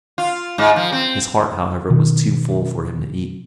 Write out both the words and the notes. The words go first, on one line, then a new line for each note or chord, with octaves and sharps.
His heart, however, was too full for him to eat.
F4
G#2
F3
C4
B2 D#3